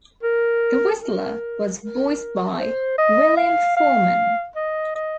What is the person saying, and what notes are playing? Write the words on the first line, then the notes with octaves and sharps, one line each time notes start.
The Whistler was voiced by William Forman.
A#4
A#4
A#4
C5
D#5
F5
F5
D#5
D#5